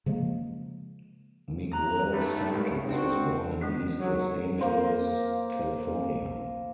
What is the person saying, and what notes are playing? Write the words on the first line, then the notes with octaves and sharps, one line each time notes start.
Miguel Santos was born in East Los Angeles, California.
C#3 F3 G#3 A#3
A#5 F#6
B1 A3 B4
C2
C4 D4 F#4
G#3 B3 D4
F#3
A#3 C5 F5